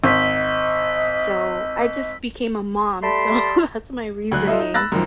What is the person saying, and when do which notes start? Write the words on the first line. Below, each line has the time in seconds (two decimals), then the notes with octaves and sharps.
so I just became a mom, so that's my reasoning.
0.04 G#1 D#5 E6 B6
3.04 G3 A3 D5 A5 B5 C6
4.32 D2 F#3 F#6
4.47 F4 A4 D#5 E5
4.59 D#4
4.74 B5 E6 F#6 A6 A#6
4.92 F#2 D#3 F3